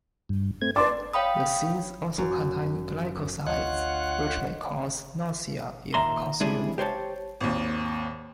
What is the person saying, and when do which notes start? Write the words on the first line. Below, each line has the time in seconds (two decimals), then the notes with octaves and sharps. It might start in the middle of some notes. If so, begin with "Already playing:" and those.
The seeds also contain glycosides, which may cause nausea if consumed.
0.29 G2
0.62 A3 C4 G#6
0.76 B4 D5 A5 C6 D6
1.13 C#5 F5 G5 B5 D#6
2.18 F#2
3.46 D2 F4 C#5 D#5 F#5 F#6
5.94 D#2 A#2 E5 A#5 C6
6.40 C3 G3 G#3 D4 E4 G#4
6.78 G4 C5 C#5 F#5 A5
7.40 G#1 D#2